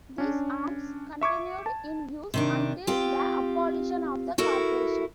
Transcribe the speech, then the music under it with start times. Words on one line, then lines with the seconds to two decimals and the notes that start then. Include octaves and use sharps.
These arms continued in use until the abolition of the corporation.
0.18 C#4 D4
1.21 E5 C#6 D6 G#6
1.66 A5
2.34 C3 D#3 D4
2.87 C4 F4 G4
4.38 E4 F#4 A4 A#4